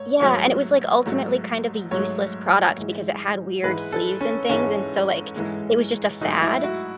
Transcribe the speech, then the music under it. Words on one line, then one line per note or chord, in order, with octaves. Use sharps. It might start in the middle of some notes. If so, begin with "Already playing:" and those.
Yeah, and it was like ultimately kind of a useless product because it had weird sleeves and things, and so like, it was just a fad
Already playing: G#2 A3 C#5
G#2 F#3 A3 C#5
G#2 F#3 A3
G#2 F#3 A3 C#5
G#2 E3 G#3
G#2 E3 G#3 B4
A4
C#4
G#2 E3 G#3 C#4
G#2 E3 G#3
G#2 F#3 A3 D#4
E4
F#4